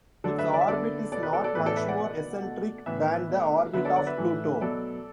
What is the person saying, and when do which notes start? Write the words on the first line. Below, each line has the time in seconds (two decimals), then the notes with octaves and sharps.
Its orbit is not much more eccentric than the orbit of Pluto.
0.24 D3 F#3 A3 A4 D5
0.39 B4 E5
0.53 D5
0.61 E5
0.68 D3 B3 A4 D5
1.12 B2 B3 A4 D5
1.23 B4
1.33 A4 D5
1.44 A4 D5
1.55 A2 E3 B3 B4
1.66 A4 D5
1.77 B4 E5
1.88 D5 F#5
1.99 B2 B3
2.42 B2 A3
2.86 A2 E3 B3 B4 E5
3.29 B2 A3
3.73 D3 F#3 B3 B4 E5
3.85 A4 D5
3.96 D5 F#5
4.07 B4 E5
4.17 A2 E3 A3
4.61 B2 F#3 B3 A4 D5